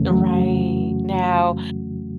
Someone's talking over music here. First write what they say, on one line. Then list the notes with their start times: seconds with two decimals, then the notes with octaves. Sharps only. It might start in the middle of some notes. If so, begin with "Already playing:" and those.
The right. Now,
Already playing: F2 C#3 E3 A3 C#4
0.10 F#3 F#4